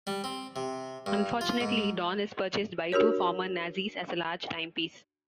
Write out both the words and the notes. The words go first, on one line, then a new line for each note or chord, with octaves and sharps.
Unfortunately, Don is purchased by two former Nazis as a large timepiece.
G3
C4
C3
G2
F4
G#2
D4 F#4 G4 A#4 C#5